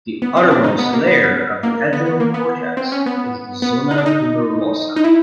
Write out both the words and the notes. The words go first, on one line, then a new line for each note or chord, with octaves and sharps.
The outermost layer of the adrenal cortex is the zona glomerulosa.
B3
C4
D4
D#4
B3
A#3
B3
A#3
B3
B3
A#3
B3
C4
C#4
B3
B3
D#4
D4
D#4
D#4
E4